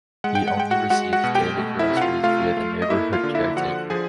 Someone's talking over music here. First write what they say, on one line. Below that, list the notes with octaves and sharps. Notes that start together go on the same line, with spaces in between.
He only receives daily groceries via the neighbourhood caretaker.
G#3 F#5
G5
F#5
G#3 G5
F#4 F#5
G#3 F#4 F#5
F#4 F#5
B2
G4 G5
A3
E4 E5
C3
F#5
F4 F5
A3 F4 F5
A3
D#5
A#3 E4 E5
F4 F5
D3
E4 E5
F3 F#4 F#5
F3 G#4 G#5